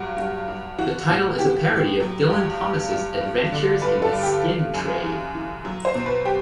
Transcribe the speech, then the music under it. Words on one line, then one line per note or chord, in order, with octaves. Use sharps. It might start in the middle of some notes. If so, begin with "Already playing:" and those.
The title is a parody of Dylan Thomas's "Adventures in the Skin Trade".
Already playing: G2 F#3 F#4
G2
G2
E3 F#4
A2
E3 G4
A2
F#3
G2
G2
G2
G2
D3
G2 B4
A4
G2
G4
E3
F#2
E3
E3
F#3
C5
B2
B4
G4